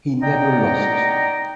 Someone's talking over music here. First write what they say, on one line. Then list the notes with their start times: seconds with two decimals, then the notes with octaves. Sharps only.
He never lost.
0.22 D#4 D5 F#5 G5 A#5